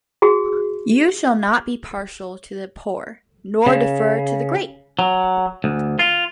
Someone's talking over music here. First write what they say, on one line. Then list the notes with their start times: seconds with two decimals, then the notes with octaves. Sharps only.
You shall not be partial to the poor; nor defer to the great!
0.22 F#4 G#4
3.66 C#3
4.99 F#3
5.64 D2
5.99 F4